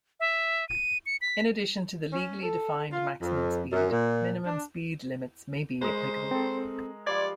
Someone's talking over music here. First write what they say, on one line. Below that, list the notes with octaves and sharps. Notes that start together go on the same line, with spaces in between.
In addition to the legally defined maximum speed, minimum speed limits may be applicable.
E5
D#7
C#7
B6
C#4
A4
F4
F2
F#2
A#2
D4
G#3 A#4 C5 D#5
C4 A4
F3 G3 D5 C6 G#6